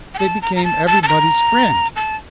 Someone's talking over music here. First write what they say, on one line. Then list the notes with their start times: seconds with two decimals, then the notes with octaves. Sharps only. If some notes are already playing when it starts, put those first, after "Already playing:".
They became everybody's friend.
0.14 G5
0.19 A5
0.42 A#5
0.56 A#5
0.64 A5
0.86 A5
1.03 A5
1.08 A#5
1.96 A5